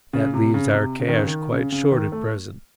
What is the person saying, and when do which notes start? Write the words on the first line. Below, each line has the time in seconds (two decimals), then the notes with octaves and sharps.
That leaves our cash quite short at present.
0.13 C#3
0.34 C3
0.54 C#3
0.73 C3
1.00 C#3
1.08 D#3
1.17 C#3
1.27 D#3
1.52 C#3
1.72 C#3
1.92 D#3
2.12 A3